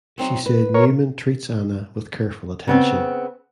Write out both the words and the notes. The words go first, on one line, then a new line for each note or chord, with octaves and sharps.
She said Newman treats Anna with "careful attention".
F#3 C4 D#4
B4
A#4 C#5
C#3 B3 C4